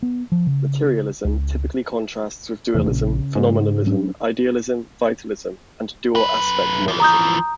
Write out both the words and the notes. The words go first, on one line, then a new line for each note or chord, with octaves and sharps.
Materialism typically contrasts with dualism, phenomenalism, idealism, vitalism, and dual-aspect monism.
B3
F3
C#3
C#2
E2 C3 E3 A3
A#1 C#3
G#2
F#3 C#4 D4
F#2 B4
E3 F3
A#5 D#6 G6